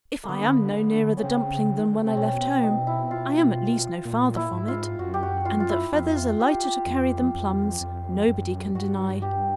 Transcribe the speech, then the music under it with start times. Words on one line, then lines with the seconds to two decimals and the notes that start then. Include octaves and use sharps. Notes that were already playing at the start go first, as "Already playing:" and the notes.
"If I am no nearer the dumpling than when I left home, I am at least no farther from it; and that feathers are lighter to carry than plums nobody can deny."
0.24 A#3
0.29 D3 B3
1.17 C#4
1.23 C#3 C4
1.79 D#3
1.88 D3
1.98 C#3
2.06 C3 C4
2.17 B2 C#4
2.40 C4
2.63 D#4
2.87 E4
3.11 F4
4.05 A#2
4.36 E4
4.52 G#2
4.68 F4
4.99 F#2 F#4
5.14 G4
5.23 F#4
5.45 F4
5.60 F4
5.70 E4
5.92 F2 F4
6.16 F4
6.40 G4
6.64 G4
6.86 F2
7.34 F2
7.80 F2
8.28 F#2
8.75 G2 F#4
9.22 G4